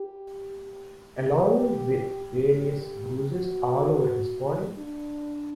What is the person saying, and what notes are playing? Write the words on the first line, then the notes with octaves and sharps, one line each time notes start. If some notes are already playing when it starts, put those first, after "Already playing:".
Along with various bruises all over his body.
Already playing: G4
G4
G4
F#4
D4